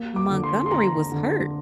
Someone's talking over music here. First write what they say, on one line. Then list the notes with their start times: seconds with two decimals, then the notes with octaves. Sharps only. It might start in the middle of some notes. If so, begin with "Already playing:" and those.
Montgomery was hurt,
Already playing: A#3
0.16 D6
0.30 D3
0.43 C6
0.66 C6
0.71 D3 A#5
1.12 D3